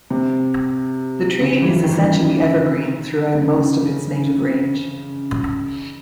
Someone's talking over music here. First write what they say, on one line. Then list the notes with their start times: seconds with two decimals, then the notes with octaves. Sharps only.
The tree is essentially evergreen throughout most of its native range.
0.10 C3
1.40 C#3
1.62 E3
1.83 D#3
1.92 E3
2.01 D#3
3.35 C#3
3.57 C#3